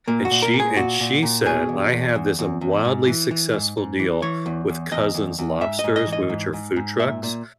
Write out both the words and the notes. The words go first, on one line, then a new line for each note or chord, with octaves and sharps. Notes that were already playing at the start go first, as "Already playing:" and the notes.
and she and she said, "I have this wildly successful deal with Cousins Lobsters, w which are food trucks.
A#2 A#3
F#4
A#2
A#4
A#2
G#4
A#2 F#4
A#2
A#2
B2 G#4
E2
E2
E2
E2
E2
G#2
E3
E3
G#2
G#2
E3
E3 C#5
E2
E2
E2 D#5
E2
E2
G#2 E5
D#5
G#2
D#5
E3
D#5
G#2
G#2
G#2
A#2 E5
A#2